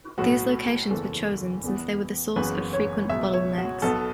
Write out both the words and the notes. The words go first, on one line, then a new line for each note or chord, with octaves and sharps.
These locations were chosen since they were the source of frequent bottlenecks.
B1 A2 F#3 B3 F#4
F#1 E2 E3 A4
E2 E3 B3
F#1 F#2 C#3 E3 B3 B4
C#5
C#2 B2 F#3 E5
C#5
F#4
B1 B2 B3 A4